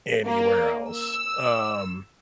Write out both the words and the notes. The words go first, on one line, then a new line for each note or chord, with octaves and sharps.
anywhere else. Um.
A#3
E6